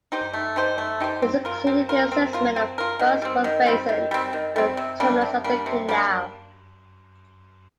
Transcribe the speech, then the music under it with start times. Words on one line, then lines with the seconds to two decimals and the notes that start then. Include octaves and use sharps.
This included an assessment of Bugsworth Basin, at the terminus of the canal.
0.12 D#4 G4 C5
0.33 A3
0.56 D#4 G4 C5
0.78 A3
1.00 D#4 G4 C5
1.22 C4
1.45 F4 A#4
1.67 C4
1.89 F4 A#4
2.12 C4
2.33 F4 A#4
2.56 C4
2.78 F4 A#4
2.99 D#3
3.22 G3 C4
3.44 D#3
3.66 G3 C4
3.89 D#3
4.11 G3 C4
4.33 D#3
4.56 G3 C4
4.77 C3
5.00 G3 A#3 D4
5.22 C3
5.44 G3 A#3 D4
5.66 C3
5.89 G3 A#3 D4